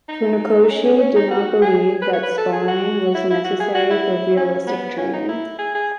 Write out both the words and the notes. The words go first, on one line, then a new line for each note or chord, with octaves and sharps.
Funakoshi did not believe that sparring was necessary for realistic training.
D#4
C#4
C#4
C#4
D#4
F#4
G#4
B4
C#5
B4
A4
G#4
F#4
E4
E4
F#4
G#4
F#4
E4
C#4
B3
C#4
D#4
E4
G#4
G#4